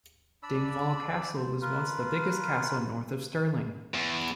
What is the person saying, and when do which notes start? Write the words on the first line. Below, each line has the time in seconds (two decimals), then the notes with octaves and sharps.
Dingwall Castle was once the biggest castle north of Stirling.
0.43 D4 D5 B5 E6
1.36 C5
1.62 F4 A#4 B4
3.94 E2